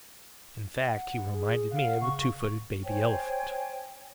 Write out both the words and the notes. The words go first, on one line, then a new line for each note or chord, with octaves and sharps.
In fact, he reminded me of a two-footed baby elephant.
F#5
G#4
F5 F#5
C#3 C#6
C5 C#5 G5 G#5